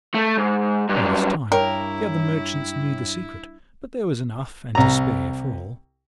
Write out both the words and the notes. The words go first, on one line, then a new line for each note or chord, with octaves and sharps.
By this time the other merchants knew the secret, but there was enough and to spare for all.
A3
G#2
G2 F#3
G2 E4 A#4 C#5 G5
C2 A#5